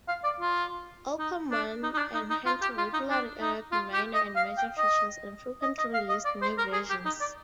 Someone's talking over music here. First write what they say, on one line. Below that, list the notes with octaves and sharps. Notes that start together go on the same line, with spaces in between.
Oppermann and Henter regularly added minor and major features and frequently released new versions.
F5
D5
F4
D#4
D4
D#4
D#4
D4
D#4
D#4
F4
G4
F4
D#4
D4
D#4
F4
G4
D#5
F5
G5
D#5
D#5
D#5
F5
D#5
D5
C5
A#4
G#4
G4
D#4
D5